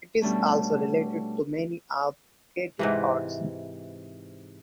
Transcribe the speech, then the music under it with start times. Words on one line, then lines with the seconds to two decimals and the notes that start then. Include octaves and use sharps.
It is also related to many of the creative arts.
0.22 B2 G3 A3 C#4 D4
2.79 G#2 C3 E3